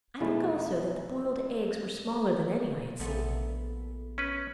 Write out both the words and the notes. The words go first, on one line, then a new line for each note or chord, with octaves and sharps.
I think also that the boiled eggs were smaller than any I had seen.
E2 B2 E3 F3 G#3 A3
A#1 A3 B3 A4
C#4 B4